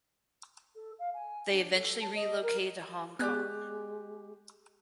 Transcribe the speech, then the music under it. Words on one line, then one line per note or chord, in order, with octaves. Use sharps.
They eventually relocated to Hong Kong.
A4
F5
G#5
D4
A4
A5
D#5
A#4
G#3 B3 G4 G#4 D5 F#6